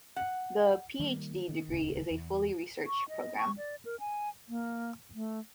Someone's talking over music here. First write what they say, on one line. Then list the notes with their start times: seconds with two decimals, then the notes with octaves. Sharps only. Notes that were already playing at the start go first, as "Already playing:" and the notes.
The Ph.D degree is a fully research program.
0.16 F#5
0.99 D#3 G3 G#3 A#3
1.49 D#3
1.69 D#1 C#2 C#3
2.11 E2
2.87 C#6
3.09 D#5
3.38 C#6
3.57 D5
3.85 A#4
4.00 G#5
4.49 A#3
5.14 A3